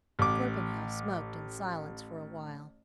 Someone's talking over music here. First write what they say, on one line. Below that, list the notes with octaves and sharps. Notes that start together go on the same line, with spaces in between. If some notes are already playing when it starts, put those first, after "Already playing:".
Torpenhow smoked in silence for a while.
A1 D6